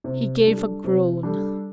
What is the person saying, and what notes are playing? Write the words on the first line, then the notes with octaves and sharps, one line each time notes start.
He gave a groan.
C3
G3 D4 A4
C3
G3 D4 A4